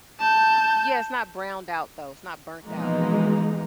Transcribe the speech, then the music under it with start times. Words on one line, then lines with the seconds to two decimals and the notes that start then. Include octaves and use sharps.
Yeah, it's not browned out though, it's not burnt out.
0.19 A5 G6
2.65 B2 E3 F3 G#3 A#3 D#4